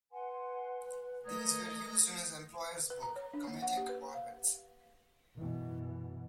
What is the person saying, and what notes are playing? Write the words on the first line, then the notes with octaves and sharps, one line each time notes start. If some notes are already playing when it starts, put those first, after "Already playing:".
These were used in his employer's book "Cometic Orbits".
B4 F#5 G#5 C6
A3 A#4 D#5 D#6 G#6
B4
A#5
C#5
D4
A#3
F#5
G4
B4
F5
F#2 B2 E3